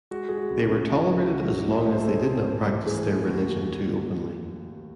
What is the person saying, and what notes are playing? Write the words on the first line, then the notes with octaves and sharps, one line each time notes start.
They were tolerated as long as they did not practice their religion too openly.
G#3 F#4
G#3 G#4
F#4
C#2
F#4
C#3
C#3 E4
C#2
G#3 F#4
C#2
A1 E4
D#5
A3 C#5
C5
A4
A3 G#4
G#2
A1 C5
A1
E3 G#4
A3
D#2 F#4
D#2